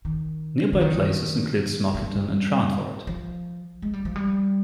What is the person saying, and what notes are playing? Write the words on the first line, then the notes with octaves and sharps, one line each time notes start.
Nearby places include Smockington, and Sharnford.
D#3
D3
D#3
G3
F3
G#3
G3
F3
G3